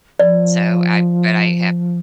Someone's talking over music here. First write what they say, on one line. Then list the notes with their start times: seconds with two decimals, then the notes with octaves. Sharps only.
so I but I have
0.20 F3 D5